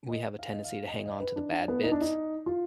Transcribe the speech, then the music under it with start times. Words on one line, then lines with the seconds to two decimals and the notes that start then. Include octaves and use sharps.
we have a tendency to hang on to the bad bits.
0.10 D#5
0.39 F5
0.51 D#5
0.65 F5
0.89 D#5
1.05 D#5
1.20 B4
1.36 D4
1.52 D4
1.68 B3
1.83 D#4
1.92 D4
2.01 D#4
2.46 F4